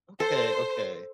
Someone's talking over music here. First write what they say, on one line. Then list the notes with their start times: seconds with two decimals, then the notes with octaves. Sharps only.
Okay, okay.
0.20 A4 C5